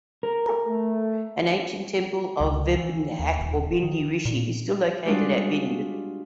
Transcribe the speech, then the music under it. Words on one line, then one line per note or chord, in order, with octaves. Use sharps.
An ancient temple of Vibhandak or Bhindi Rishi is still located at Bhind.
A#4
A3
C#2
E3
D#2
D#1
D#3
A#2
G3 G#3 D4 F4 F#4